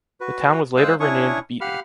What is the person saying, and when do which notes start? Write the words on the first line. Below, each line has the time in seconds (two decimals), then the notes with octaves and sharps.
The town was later renamed Beeton.
0.21 F#4 B4
0.77 G#3 C5 F5 D#6 E6 F#6
1.00 C#4 D4 E4 C#5 C#6 D#6
1.61 G4 F5 F#5 B5 F6